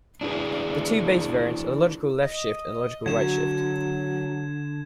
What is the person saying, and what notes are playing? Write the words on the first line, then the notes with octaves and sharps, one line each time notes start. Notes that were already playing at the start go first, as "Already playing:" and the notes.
The two base variants are the logical left shift and the logical right shift.
D4 E4 G#4 B4
D#5
D3 F#3 G#6 E7